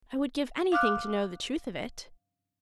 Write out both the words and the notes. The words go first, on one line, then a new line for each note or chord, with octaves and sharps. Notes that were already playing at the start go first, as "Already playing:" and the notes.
I would give anything to know the truth of it.
F5 D6 F6 F#6